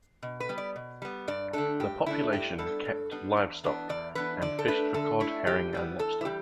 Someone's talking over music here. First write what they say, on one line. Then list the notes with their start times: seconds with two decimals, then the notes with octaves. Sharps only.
The population kept livestock and fished for cod, herring, and lobster.
0.23 B2
0.40 B4
0.49 G3 B3
0.58 D5
0.76 B2
1.02 G3 B3
1.28 G2 D5
1.53 D3 A3 D4 A4
1.80 G2 G4
2.06 D3 A3 D4 E4
2.32 G2 G4
2.58 G3 B3 D4 A4
2.85 G2
3.11 G3 B3 D4
3.37 E2
3.64 E3 B3 D4
3.89 E2 D5
4.15 E3 B3 D4 B4
4.42 D3 D5
4.59 A4
4.68 A3 D4 B4
4.94 D3 A4
5.20 A3 D4 E4
5.46 E2 G4
5.73 E3 G3 B3
5.99 E2 A4
6.21 E4
6.25 E3 G3 G4